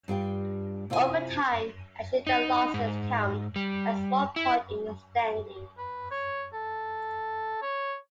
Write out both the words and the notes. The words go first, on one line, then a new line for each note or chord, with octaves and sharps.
Overtime and shootout losses count as one point in the standings.
G2 G3 F4 G5
C3 E4 F4 E5 G#5
D#4
G#2
G3
E4
B4
C#5
A4
C#5